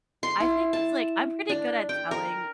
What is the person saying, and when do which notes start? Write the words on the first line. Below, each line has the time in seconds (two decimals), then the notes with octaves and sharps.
I think it's, like I'm pretty good at telling,
0.23 C6
0.40 E4
0.73 A5
1.49 D4
1.89 G5
2.11 A#4